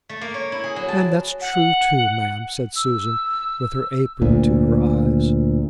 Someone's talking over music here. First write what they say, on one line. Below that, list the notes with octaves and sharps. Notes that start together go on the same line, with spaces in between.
'And that's true too, ma'am,' said Susan, with her apron to her eyes.
A3
A#3
C#5
E4
G#4
F#3
A5
F#5
E6
D2 A#2